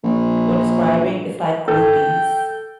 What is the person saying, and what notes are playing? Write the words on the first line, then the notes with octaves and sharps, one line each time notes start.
or describing, it's like groupies.
A#1
A4 G5